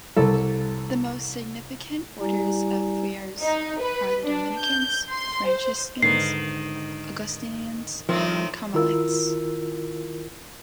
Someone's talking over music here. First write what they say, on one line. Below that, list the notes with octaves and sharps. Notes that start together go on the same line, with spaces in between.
The most significant orders of friars are the Dominicans, Franciscans, Augustinians and Carmelites.
C2 A4
G3 E4 G4 D5 G#5 A#5
D#4
B4
D4
G6
C6
C5
G#2 D3 D#3 B4 C7
A2 D#3 F3 C4
D#3 E4 F4 A#4 E6